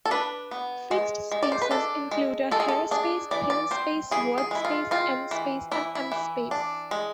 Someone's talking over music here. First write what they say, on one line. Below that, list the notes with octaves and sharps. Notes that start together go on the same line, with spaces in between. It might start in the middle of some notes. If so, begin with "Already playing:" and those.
Fixed spaces include a hair space, thin space, wordspace, en-space, and em-space.
A4
D4 B4
B3
G#3
G#3
D5
C5
B4
D4 A4
G#3
G#3 A4
G#4
A4
D4 G#4
E3 D5
D5
C4 C5
E3 G#4
G#4
G#3 E4
F4
C4 F4
E3
E3 E4
E4
E3
D4
G#3